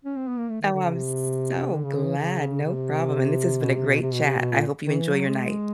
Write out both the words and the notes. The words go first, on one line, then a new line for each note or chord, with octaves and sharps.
Oh, I'm so glad, no problem. And this has been a great chat, I hope you enjoy your night.
C#4
C4
B3
A#3
A3
D#3
D3
C#3
C3
D3
C#3
D3
E3
C#3
C#3
C3
B2
C3
B2
C3
B2
C3
B2
A#2
D#3
E3
F#3
G#3